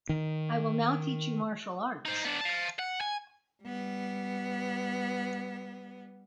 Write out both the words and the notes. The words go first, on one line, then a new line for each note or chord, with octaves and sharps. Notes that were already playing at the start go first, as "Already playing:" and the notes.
I will now teach you martial arts.
D#3
D#4 C5
B3 D4
F5 A5
F#5
G#5
G3 B3